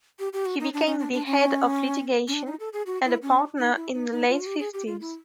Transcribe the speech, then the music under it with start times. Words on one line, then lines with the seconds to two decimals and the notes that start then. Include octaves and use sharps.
He became the head of litigation and a partner in the late fifties.
0.19 G4
0.33 G4
0.46 F#4
0.60 D#4
0.73 D4
0.86 C#4
0.99 D4
1.13 D4
1.26 C#4
2.28 C#4
2.33 D4
2.46 D#4
2.60 A4
2.73 G#4
2.86 F#4
3.04 E4
3.22 C#4
3.58 D#4
3.76 E4
3.94 D#4
4.12 D#4
4.28 F4
4.40 F#4
4.46 G4
4.60 G#4
4.73 G4
4.87 F4
5.01 E4